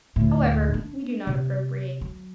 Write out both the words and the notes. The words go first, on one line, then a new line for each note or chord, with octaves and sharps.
However we do not appropriate.
D2 A2
D4
C3
F#3